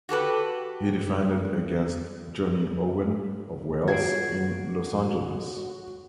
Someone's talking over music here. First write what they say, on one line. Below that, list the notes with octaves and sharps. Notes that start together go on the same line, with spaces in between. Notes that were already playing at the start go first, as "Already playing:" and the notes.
He defended against Johnny Owen of Wales in Los Angeles.
F#4 G4 A4 B4
F4 F#4 G#4 C#5 G#6 C7 D7